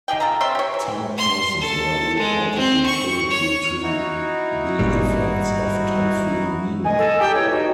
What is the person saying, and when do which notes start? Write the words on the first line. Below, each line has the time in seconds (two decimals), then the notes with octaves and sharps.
Ten persons were reportedly killed due to the effects of Typhoon Mina.
0.08 D#4 G4 G#4 G5
0.20 F4 A4 A#5
0.41 C4 C#5 E5 C6
0.55 G4 C#5
0.74 E3
1.17 C6
1.61 A4
2.18 G#3
2.56 C4
2.85 C#6
3.30 C#5
3.83 D#4 E4 F#4
4.79 G#1 G2 A#2 G3
6.85 D#5 G#5
6.98 A4
7.21 D#4 G4 G5
7.35 E2 C#5
7.50 B2 D#4 F#4